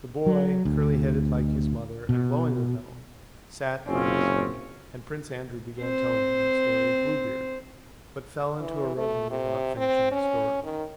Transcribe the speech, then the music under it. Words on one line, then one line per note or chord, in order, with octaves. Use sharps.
The boy, curly- headed like his mother and glowing with health, sat on his knee, and Prince Andrew began telling him the story of Bluebeard, but fell into a reverie without finishing the story.
F#3
D2
B2
F#1 C4 C#4 F4
C4 C5
E3
A3
C3
C4
C#4
D#3